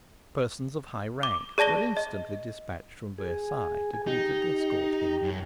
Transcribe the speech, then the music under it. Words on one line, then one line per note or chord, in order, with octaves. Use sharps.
Persons of high rank were instantly despatched from Versailles to greet and escort him.
D6
G#4 D5 A5 A#6 G7
D#5
G#4
G#5
D#4 G4
F#2